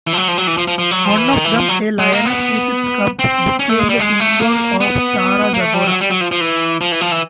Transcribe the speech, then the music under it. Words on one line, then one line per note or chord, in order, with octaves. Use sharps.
One of them, a lioness with its cub, became the symbol of Stara Zagora.
E3
F3
F#3
F3
F#3
E3
F3
F3
F3
F#3
F3
E3
D#3
E3
F3
F#3
G#3
A#3
B3
C4
C#4
A3
G#3
G3
G#3
A3
A#3
B3
A#3
A3
G3
F#3
G3
F#3
F3
F3
E3
F3
E3
F3
E3